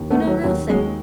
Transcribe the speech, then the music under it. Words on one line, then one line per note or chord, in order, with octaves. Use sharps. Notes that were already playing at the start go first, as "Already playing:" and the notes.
"You know nothing."
Already playing: D#2
A3 B3
D#3
F#3
D#2 F#3
D#3 F#3 G#3